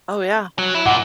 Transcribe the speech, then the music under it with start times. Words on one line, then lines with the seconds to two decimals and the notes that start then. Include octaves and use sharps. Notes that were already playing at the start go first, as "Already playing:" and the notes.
Oh, yeah.
0.59 F#3
0.75 E4
0.86 A#2 F#5